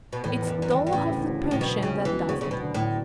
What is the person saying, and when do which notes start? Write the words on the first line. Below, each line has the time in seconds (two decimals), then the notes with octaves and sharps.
It's 'Dolokhov the Persian' that does it!
0.12 B2
0.24 E2 A2
0.42 E2
0.47 F#2
0.58 F#2 E3
0.70 E2 G2
0.87 G2
0.93 A2 C#3
1.10 D2
1.27 D2
1.44 D2
1.51 A2
1.60 B2 F#3
1.77 C#2
1.83 C#3
1.94 B2
2.05 E3
2.12 B2
2.28 D2 C#3
2.41 C#3
2.46 B2 F#3
2.62 D3
2.74 A2 D3